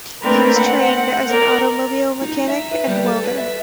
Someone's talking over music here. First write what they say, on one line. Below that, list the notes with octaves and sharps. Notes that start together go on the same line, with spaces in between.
He was trained as an automobile mechanic and welder.
A3 A#3 C4 D4 A#4 B4
C4 F#5
A#4 D5
D#4
E5
B4
G3
A4
B4
E5